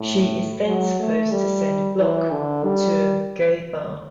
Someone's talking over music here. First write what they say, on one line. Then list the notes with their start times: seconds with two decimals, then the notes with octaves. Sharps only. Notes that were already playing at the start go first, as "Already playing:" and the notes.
She is then supposed to send Block to a gay bar.
Already playing: A2
0.66 F#3
1.00 A3
1.32 G3
1.98 E3
2.31 D3
2.64 G3